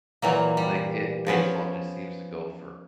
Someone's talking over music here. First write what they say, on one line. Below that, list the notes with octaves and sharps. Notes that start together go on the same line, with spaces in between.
like, it baseball just seems to go for
A#2 E3 F#3 A#3
G3
F3 B3 C#4